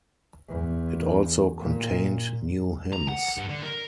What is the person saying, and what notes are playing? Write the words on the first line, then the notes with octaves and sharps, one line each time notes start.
It also contained new hymns.
E2
A#2
A#5
F#5
G2
D3
A#4